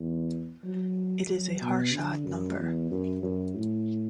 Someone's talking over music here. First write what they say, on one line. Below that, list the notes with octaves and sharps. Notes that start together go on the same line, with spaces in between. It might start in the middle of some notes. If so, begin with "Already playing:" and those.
It is a Harshad number.
Already playing: E2
F#3
F#3
B2
D3
F#2
E2
F#2
F#2
A2